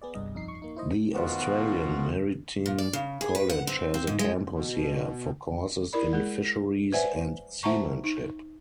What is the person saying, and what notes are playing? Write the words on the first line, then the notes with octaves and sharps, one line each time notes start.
The Australian Maritime College has a campus here, for courses in fisheries and seamanship.
B3 G#4 D5
G1 C2 G2 D#5
F2 D#4 C7
C#6
A#3 D#4
E4 C5 D#5
B2 D#3 F3 B3 F4 F#4
A#2
D5
C#3
G#4
B4
F#5
C4
C4
G#2
G#3
B2
E4 A#4 D5 B5
G#3 G#4
B4 C5 D5 E5 F#5 G#5
C5 E5 F#5 A5 A#5 C#6
D#4